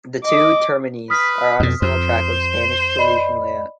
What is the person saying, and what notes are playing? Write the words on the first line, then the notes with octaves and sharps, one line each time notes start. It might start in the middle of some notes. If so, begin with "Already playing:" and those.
The two terminis are on a single track with a Spanish solution layout.
D#5 D6
B4 D#6 F6 B6
F2 B2
F2 C5
D5 D#5 B5